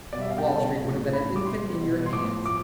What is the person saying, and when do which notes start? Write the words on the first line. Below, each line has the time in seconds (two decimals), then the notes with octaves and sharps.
"Wall Street would have been an infant in your hands."
0.13 B2 G3 D5
0.21 E5
0.30 F5
0.38 G5
0.46 B2 G3 A5
0.80 A2 F3
1.13 A2 F3 B5
1.36 D6
1.46 B2 G3 C6
1.80 B2 G3
2.06 C6
2.12 A2 F3 D6
2.46 F3 D6